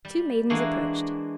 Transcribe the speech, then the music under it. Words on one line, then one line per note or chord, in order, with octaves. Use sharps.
Two maidens approached.
G3
E3 G#3 A#3 D4 F#4